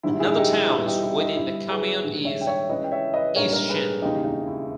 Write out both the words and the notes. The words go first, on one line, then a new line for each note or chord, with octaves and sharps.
Another towns within the commune is Eischen.
A#1 G#2 D#3 G3 E4
E4 G#4
D#4 G4
E2 B2 G3 E4
D#4 G4
E4
D#4
G1 G2 G3 E4
G#4 B4
A#1 G#2 D#3 G3
C#5 E5
G5
C#5 E5
C#2 C#3 E3 B4 D#5
G5
C#5 E5
B4 D#5
A#1 G#2 G3 A#4 C#5
A#4 C#5
G#4 B4
E1 D#2 C#3 E3 D#4 G4
D#4
E4